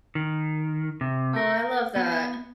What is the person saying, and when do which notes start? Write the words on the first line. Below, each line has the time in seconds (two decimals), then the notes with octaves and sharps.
Oh, I love that.
0.15 D#3
1.01 C3
1.36 A#4
1.96 B3